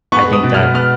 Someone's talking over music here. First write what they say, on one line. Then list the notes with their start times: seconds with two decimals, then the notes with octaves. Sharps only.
I think that
0.12 B3 C#6
0.27 G#3
0.33 D#6
0.43 B2
0.54 F6
0.59 G#3
0.74 B3 F6